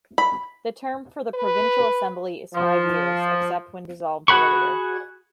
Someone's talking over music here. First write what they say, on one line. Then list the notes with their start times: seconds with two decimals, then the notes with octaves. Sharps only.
The term for the Provincial Assembly is five years, except when dissolved earlier.
0.18 B5
1.34 B4
2.54 F3
4.28 F#4 G#4 F#5 B5 C#6